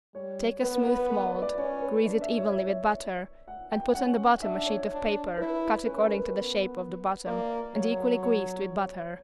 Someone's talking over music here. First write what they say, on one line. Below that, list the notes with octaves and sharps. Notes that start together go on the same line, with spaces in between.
Take a smooth mold, grease it evenly with butter and put on the bottom a sheet of paper, cut according to the shape of the bottom and equally greased with butter.
G3 C#5
B3 B4
B4
B4
D5
D5
C#4 C#5
B4
D4 D5
E5
C#5
E5
F#5
G5
C#4 F#5
D4 E5
C#5
D4
E4 B4
C#4 B4
A#4
B4
B3
A#3 D5
F#3 C#5
C#5